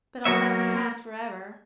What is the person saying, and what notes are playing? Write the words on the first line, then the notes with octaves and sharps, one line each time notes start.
But all that's past for ever.
F#3 A#3 B3 F#4 C#5 E5